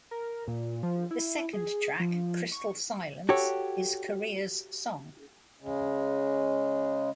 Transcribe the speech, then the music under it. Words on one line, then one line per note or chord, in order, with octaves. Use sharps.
The second track, "Crystal Silence", is Corea's song.
A#4
A#2
F3
E4
G#4
F3
C#6
F#4 G4 A4 C#5
C#3 G#3